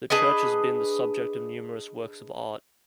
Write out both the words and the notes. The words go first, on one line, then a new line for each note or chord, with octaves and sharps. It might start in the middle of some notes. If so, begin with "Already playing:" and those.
The church has been the subject of numerous works of art.
D4 G#4 B4 D#5